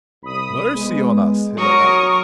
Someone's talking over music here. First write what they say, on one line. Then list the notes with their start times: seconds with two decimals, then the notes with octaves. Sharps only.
"Mercy on us!" he let out.
0.23 C2 B5 D#6
0.74 G#3 B3
1.58 F#3 A#4 A#5 C#6 D#6